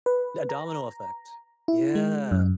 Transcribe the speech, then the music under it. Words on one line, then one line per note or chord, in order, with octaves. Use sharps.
a domino effect. Yeah.
B4
A#5
E4
G#3
F#2